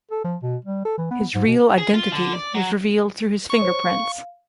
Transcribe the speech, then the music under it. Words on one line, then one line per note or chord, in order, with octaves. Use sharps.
His real identity was revealed through his fingerprints.
A4
F3
B2
G3
A4
E3
B3
G#2
B2
G#4
F4
D3
D5
F#3
C#6
C5 C#5
F5